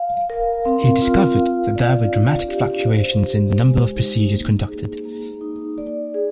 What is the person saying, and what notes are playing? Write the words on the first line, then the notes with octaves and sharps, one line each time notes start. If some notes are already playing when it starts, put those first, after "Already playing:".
He discovered that there were dramatic fluctuations in the number of procedures conducted.
Already playing: F5
A#4
C4
F4
F5
D5
D4
G4
C5
G4
G#3
D#4
A#3
G#4
A#3
D#4
D5
G#4